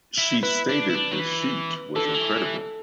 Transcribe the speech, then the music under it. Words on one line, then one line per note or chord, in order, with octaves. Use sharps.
She stated The shoot was incredible.
E4
E4 B4
D4
E4
D4
F#3
E3
E3 A4
D3
E3